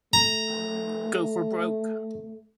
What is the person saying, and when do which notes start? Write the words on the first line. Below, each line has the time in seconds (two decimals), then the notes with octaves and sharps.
Go for Broke!
0.13 A3 A#5